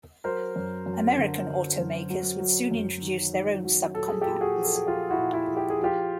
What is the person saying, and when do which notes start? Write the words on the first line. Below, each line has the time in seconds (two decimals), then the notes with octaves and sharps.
American automakers would soon introduce their own subcompacts.
0.24 F#3 A#4 C5
0.56 F#2
0.86 F#2
1.17 D3
1.48 D3
1.79 F#2
2.10 F#3
2.40 F#3
2.71 F#2
3.02 D#3
3.33 D#3
3.64 F#3
3.95 A#2 A4
4.08 G#4
4.21 A#2 G4 A4
4.41 F#4 G#4
4.56 F3
4.64 A4
4.75 G#4
4.87 F3 F4 G4
5.10 E4 F#4
5.18 A#2
5.33 E4 F#4
5.48 F3
5.57 G4
5.70 G#4
5.79 F3 F4 G4